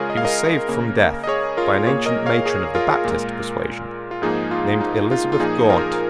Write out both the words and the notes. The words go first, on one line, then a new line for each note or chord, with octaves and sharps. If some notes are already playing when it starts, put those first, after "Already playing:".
He was saved from death by an ancient matron of the Baptist persuasion, named Elizabeth Gaunt.
Already playing: C#3 G#3 F4 G#4 A#4 C#5
D#5
F5
A#4 D#5
C#3 A#3
D#5
G#4 C#5
F4 A#4
A#2 A#3 G#4 C#5
A#4 D#5
C#5 F5
G#4 C#5
F4 A#4
A#2 G#3
F4
G#2 F3 A#3 D#4 G#4
F4
D#4
F4
F4
A#2 F3 A#3 D#4 G#4
F4 A#4